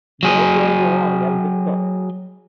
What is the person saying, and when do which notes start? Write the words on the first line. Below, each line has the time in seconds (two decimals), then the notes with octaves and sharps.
Bill goes along as the cook.
0.23 F#3 G#4